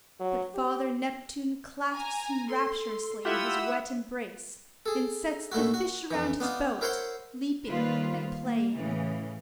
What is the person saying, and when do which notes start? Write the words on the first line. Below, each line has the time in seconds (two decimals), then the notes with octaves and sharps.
But Father Neptune clasps him rapturously in his wet embrace, and sets the fish around his boat leaping and playing.
0.20 F#3
0.54 G4
1.93 G#5 A#5
2.49 A4 C6
3.25 E4 F4 G4 E5 F#5 B5 D#6 E6
4.86 G#4 A4
5.52 A#2 A3 E4 F#4
5.74 F#4
6.11 F2 E3
6.40 B3 D4 D#4 F4
6.81 E4 A#4 C5 C#5 F#5 C6
7.69 D#3 G3 A#3 F4 B4 C5
8.43 A#3
8.75 A2 C#3 E3